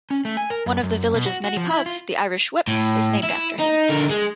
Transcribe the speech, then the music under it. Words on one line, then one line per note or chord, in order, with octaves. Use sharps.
One of the village's many pubs, "The Irish Whip", is named after him.
C#4
A3
G#5
A#4
F#2
F#2
B2
F#4
F#4
F3
E4
F4
A2
E4
D#4
D3 A#4
G#3